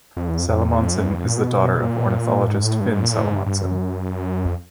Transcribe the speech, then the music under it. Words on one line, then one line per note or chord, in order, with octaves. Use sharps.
Salomonsen is the daughter of ornithologist Finn Salomonsen.
F2
E2
F2
F2
E2
F2
F#2
E2
F2
A#2
B2
A#2
G#2
A2
G2
G#2
A#2
A2
G#2
G2
G2
F#2
F2